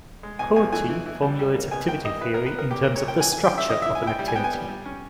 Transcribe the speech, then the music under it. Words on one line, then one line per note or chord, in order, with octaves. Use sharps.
Kuutti formulates activity theory in terms of the structure of an activity.
G#3
B2 G#5
B2 G#5
E3 G#5
E3
E3
G3
G3
A#3
B2 G#5
A#3 G5
G3 D#5
E4 B4
B3 A#4
B4
B3 A#4
A#2 G4
A#4
A#2
C#5
G3 G5
E3 G#5
G#5
E3
G5
C#3 E5
E4 D#5
E5
E4
G#5
E4 G5
G3
G#5
B3 G5
G#5
G3
G3
C#4